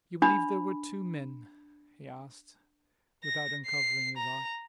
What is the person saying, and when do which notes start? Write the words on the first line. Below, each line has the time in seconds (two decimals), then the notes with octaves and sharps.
"You believe there were two men?" he asked, without uncovering his eyes.
0.22 D4 B5
3.24 A#6
3.66 C7
4.17 A#5